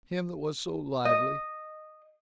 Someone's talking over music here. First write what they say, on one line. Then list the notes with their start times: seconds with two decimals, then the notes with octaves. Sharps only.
Him that was so lively!
1.05 D#5